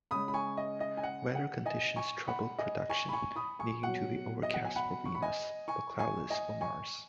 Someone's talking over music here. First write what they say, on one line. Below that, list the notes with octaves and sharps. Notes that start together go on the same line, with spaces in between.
Weather conditions troubled production, needing to be overcast for Venus, but cloudless for Mars.
C#3 G#3 B5 D#6
B5
G#5 C#6
D#5
D#5
G#5
F#5
F#5
D#5 G#5
G#5 C#6
F#5 B5
D#5 G#5
G#5 C#6
B5
G#5 C#6
B5 D#6
G#5 C#6
B2 F#3 F#5
D#5
F#5
G#5
F#5 B5
C#6
B5
D#5 G#5
G#5 C#6
G#5 C#6
D#5 G#5
G#5 C#6